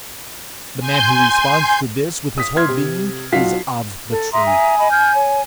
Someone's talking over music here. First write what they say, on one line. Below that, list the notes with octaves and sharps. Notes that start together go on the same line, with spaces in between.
The man who responds to this with his whole being, is of the truth.
G#5 C6 G6
D#6 B6
C6 F6 G#6
C3
B1 F4 F#4 F5 B6 C7
A4
E5 A#5 C6 D#6
G#5
D#5 B5
F6 G6 G#6
C#5